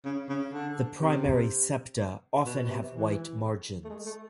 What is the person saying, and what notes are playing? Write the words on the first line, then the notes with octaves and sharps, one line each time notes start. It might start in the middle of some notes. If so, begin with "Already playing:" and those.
The primary septa often have white margins.
C#3
C#3
D3
C3
B2
B2
C3
E3
A3
G#3
A3